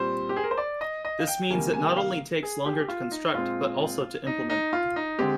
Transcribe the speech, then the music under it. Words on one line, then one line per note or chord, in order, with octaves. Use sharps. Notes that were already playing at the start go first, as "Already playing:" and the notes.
This means it not only takes longer to construct, but also to implement.
Already playing: A#2 G3 C4 C5
G4
G#4
A#4
C5
D5
D#5
D#5
F5
G5
C3 D#3 G3 A#3 G#5
G#5
G5
F5
G#4
G4
G#4
G4
F4
D#4
A#2 G#3 C4 F4
D#4
D#4
F4
D#4
D3 G#3 C4 G4